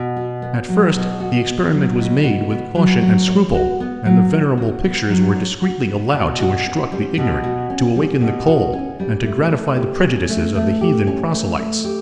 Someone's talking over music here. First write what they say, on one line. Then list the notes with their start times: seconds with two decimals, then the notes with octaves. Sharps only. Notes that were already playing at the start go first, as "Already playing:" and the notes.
At first, the experiment was made with caution and scruple; and the venerable pictures were discreetly allowed to instruct the ignorant, to awaken the cold, and to gratify the prejudices of the heathen proselytes.
Already playing: B2
0.17 F#4
0.42 B3
0.69 F#3
0.95 B2
1.20 F#4
1.46 B3
1.72 F#3
1.98 B2
2.24 F#4
2.50 B3
2.76 F#3
3.02 F#3
3.28 C#5
3.54 F#4
3.80 B3
4.05 F#3
4.33 C#5
4.58 F#4
4.84 B3
5.10 F#3
5.36 C#5
5.62 F#4
5.87 B3
6.13 B2
6.40 F#4
6.66 C#4
6.92 G3
7.18 B2
7.44 F#4
7.70 C#4
7.96 G3
8.21 B2
8.47 F#4
8.73 C#4
9.00 G3
9.25 A3
9.50 A3
9.77 G4
10.03 C#4
10.29 A3
10.55 A3
10.81 G4
11.07 C#4
11.33 A3
11.58 A3
11.84 G4